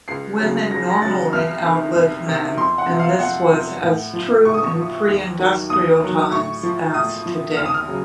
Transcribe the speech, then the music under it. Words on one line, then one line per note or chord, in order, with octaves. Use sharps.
Women normally outlive men, and this was as true in pre-industrial times as today.
C#2 C7
C#3 F#3
C#2 A#6
A#6
C#3 F#3 A6
C2 F6
C3 D#3
C2
C3 D#3
F2 C6
F#5
C3 F3
F5
F2 F#5
C3 F3
A2
F3
A2 C#6
D#6
C#6
F3
D#2
D#3 F#3
D#2 D#6
D#3 F#3
A2 C#6
F3
A2 D#6
F3
D#2 F6
D#6
F6
C#3 F#3